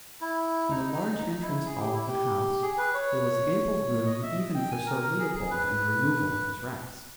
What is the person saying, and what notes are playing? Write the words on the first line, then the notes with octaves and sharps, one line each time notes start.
In the large entrance hall of the house there was ample room even for Sir Leopold and the removal of his wraps.
E4
D#4
D#4
D#4
E4
G#4
G4
E4
G4
G#4
B4
C#5
D#5
E5
D#5
G5
G#5
A#4
A#4
G#4
G#4
B4